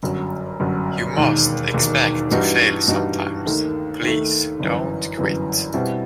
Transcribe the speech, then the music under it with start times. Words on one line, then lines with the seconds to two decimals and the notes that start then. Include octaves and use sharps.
You must expect to fail sometimes; please don't quit.
0.03 G1 F#2 F#3
0.60 G1 F#2 F#3
1.17 E1 D#2 D#3
1.74 E1 D#2 D#3
2.31 G2 E3 G3 D#4 F#4
2.88 G2 E3 G3 D#4 F#4
3.45 D#2 D#3 A3
4.03 D#2 D#3 A3
4.60 G1 F#2 E3
5.17 G1 F#2 E3
5.74 B2 G3 C4 E4